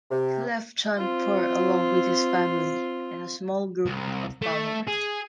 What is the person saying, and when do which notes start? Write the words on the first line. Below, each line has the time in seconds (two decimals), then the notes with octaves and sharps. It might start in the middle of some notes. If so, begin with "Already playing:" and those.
He left Jaunpur along with his family and a small group of followers.
0.11 C3
0.97 C4 F4
3.86 C2
4.42 A3
4.87 G#4